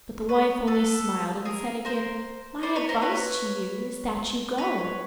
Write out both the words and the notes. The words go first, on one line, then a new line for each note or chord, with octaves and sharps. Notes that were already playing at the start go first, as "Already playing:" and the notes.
But the wife only smiled and said again, "My advice to you is that you go."
B4 C#5
A4 B4
G#4 A#4
A#4 C5
C5 D5
B4 C#5
A#4 C5
B4 C#5
B4 C#5